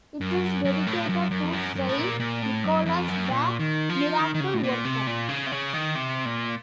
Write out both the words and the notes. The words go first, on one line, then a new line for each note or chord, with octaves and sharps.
It is dedicated to Saint Nicholas the Miracle-Worker.
F#2
F#2
A2
F#2
F#2
F2
F#2
F#2
A2
A#2
A#2
A2
F#2
F2
F#2
A#2
D#3
F3
D#3
D#3
C#3
A2
A#2
C3
A#2
C#3
C3
C#3
D#3
C3
A#2